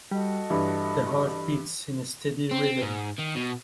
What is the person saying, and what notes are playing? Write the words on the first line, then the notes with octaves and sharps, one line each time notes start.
The heart beats in a steady rhythm.
G3 F#4 A4 D#5
G2 E3
C4
G#2
D#3
B2